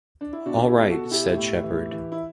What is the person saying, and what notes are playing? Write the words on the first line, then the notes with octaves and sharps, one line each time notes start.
"All right," said Shepherd.
D4
E4
B2 D4 F#4
E4 G4
B2
F#4 A4
B2
E4 G4
A2
E3
E3
E4